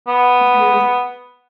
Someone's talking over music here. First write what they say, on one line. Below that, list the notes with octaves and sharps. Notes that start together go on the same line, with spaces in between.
If you were
B3